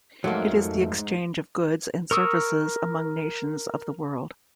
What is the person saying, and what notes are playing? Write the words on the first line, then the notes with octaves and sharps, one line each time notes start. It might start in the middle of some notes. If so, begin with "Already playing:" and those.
It is the exchange of goods and services among nations of the world.
F2 G#2 F#3 A3 A#3
A#4 C#6 D#6 E6